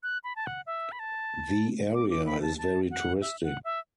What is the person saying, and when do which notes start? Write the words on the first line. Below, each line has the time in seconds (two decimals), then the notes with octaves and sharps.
The area is very touristic.
0.03 F#6
0.24 B5
0.36 A5
0.46 F#5
0.66 E5
0.92 B5
0.99 A5
1.94 D6
2.10 D6
2.26 B5
2.42 A5
2.58 A5
2.91 F#5
3.21 E5
3.43 F#5
3.65 E5